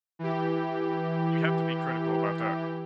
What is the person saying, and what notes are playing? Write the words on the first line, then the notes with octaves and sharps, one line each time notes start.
you have to be critical about that.
E3 G4